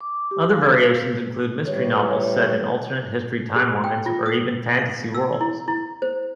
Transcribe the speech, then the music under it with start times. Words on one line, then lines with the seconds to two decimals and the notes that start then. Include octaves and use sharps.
Other variations include mystery novels set in alternate history timelines or even fantasy worlds.
0.01 D6
0.31 G4
0.50 F5
0.73 F#4
0.91 E6
1.66 A2 G3 B4 C#5
3.56 G4
3.84 G5
4.06 F4
4.26 D#6
4.79 F5
5.14 E6
5.41 E4
5.68 E4
6.02 C5